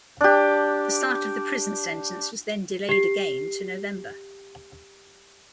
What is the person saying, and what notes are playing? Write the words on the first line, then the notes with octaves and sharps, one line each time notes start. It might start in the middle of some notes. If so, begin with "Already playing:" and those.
The start of the prison sentence was then delayed again, to November.
D4 G4
G4 C7